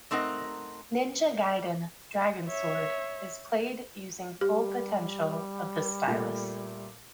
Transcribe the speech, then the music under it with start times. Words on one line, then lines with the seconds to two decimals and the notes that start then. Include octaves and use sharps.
"Ninja Gaiden: Dragon Sword" is played using full potential of the stylus.
0.11 A3 C4 D#4 A#4 F#5
2.48 C#5 E5
4.41 G3 G4
6.07 A#2 A3